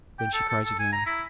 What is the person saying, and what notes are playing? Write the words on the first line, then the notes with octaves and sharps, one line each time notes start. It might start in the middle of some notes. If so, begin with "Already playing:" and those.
Then she cries again.
G5
A4
A4
A4
G#5
A#5
E4